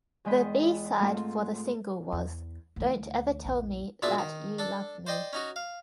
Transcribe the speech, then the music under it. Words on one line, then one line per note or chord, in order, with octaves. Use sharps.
The B-side for the single was "Don't Ever Tell Me That You Love Me".
E2 G#3 D#5 G5 B5
G#2 A3 C4 F4
E2
D2 E3
A#1 E2
B1 A#2 D4 G#4 E5
D#3
D4 A4
C5 D5 D#5 G5 C6
C#4 D#4 F#4
F5